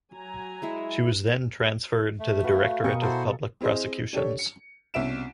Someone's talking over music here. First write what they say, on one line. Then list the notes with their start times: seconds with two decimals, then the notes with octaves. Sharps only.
She was then transferred to the Directorate of Public Prosecutions.
0.12 F#3 G#5 A#5
0.62 G#3 E4 E5
2.20 A3
2.44 F#4 B4 F5
2.84 B2 A#4 D#5 G5 G#5 C#6 C#7
3.02 E4 F#4 A4 C5
3.61 C4 E4 G#4 C5 D#5
4.13 D4 G4 A4 C#5
4.39 C#7
4.94 C2 B2 C#4 E5 D7 E7